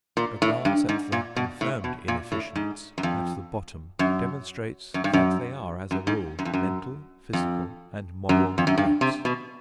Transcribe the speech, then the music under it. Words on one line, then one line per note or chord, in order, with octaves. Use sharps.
A glance at the confirmed inefficients at the bottom demonstrates that they are, as a rule, mental, physical, and moral wrecks.
A#2
A2
G2
G#2
A#2
B2
A2
B2
A#2
A2
G#2
F#2
F2
F#2
F#2
G2
F#2
F#2
G#2
F#2
F2
F#2
F2
F#2
F2
F#2
G2
C3
B2